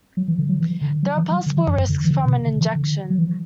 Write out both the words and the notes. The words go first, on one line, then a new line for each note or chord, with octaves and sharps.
There are possible risks from an injection.
F#3
E3
D3
F#3
E3
D3
F#3
E3
F#3
D3
E3
F#2
F#2
D3
E3
D3
B2
C3
D3
E3
D3
F#3
E3